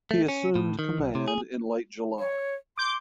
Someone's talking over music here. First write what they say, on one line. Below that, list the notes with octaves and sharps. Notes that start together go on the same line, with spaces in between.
He assumed command in late July.
A3
C#4
A2
D#3
B1
C3
G#4
C#5
C6 D6 G6